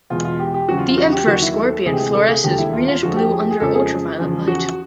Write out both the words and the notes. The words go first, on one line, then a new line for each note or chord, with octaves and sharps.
The emperor scorpion fluoresces greenish-blue under ultra-violet light.
E2 B2 G#3 F4
F4
G4
G4
E1 E2 C#3 F#3 F#4
F4
F4
F#4
G4
D#2 D#3 F#3 F#4
E4
A4
D2 C3 E3 G#3 G#4
G4
G#4
A4
G#4
E1 D#2 D3 G4
E4
F4
F4
F2 D3 F3 G#3 F#4
G4
G#4
G4
G#4
F2 C#3 F3 G#3 A4
G#4
E2 C#3 F3
F#4